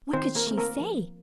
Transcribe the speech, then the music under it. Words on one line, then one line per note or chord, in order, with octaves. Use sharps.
What could she say?
D#3 C4 C5
A#3 A#4
A3 C4
A#3 A#4
F3